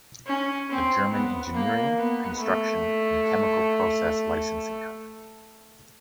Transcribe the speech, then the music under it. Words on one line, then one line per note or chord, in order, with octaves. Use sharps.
A German engineering, construction and chemical process licensing company.
C#4
C4
B3
A#3
B3
A3